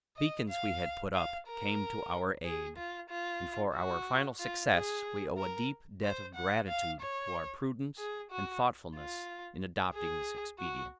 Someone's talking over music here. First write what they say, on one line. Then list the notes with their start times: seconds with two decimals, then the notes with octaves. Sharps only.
The beacons we had put up came to our aid, and for our final success we owe a deep debt of gratitude to our prudence and thoughtfulness in adopting this expedient.
0.17 D#5
0.49 F5
1.14 F5
1.47 A#4
2.45 G#4
2.77 F4
3.10 F4
3.74 F#4
4.40 F4
4.73 G#4
5.37 A#4
6.03 C5
6.35 F#5
6.67 F5
7.00 C#5
7.98 G#4
8.31 F#4
8.96 F4
9.94 G#4
10.58 F#4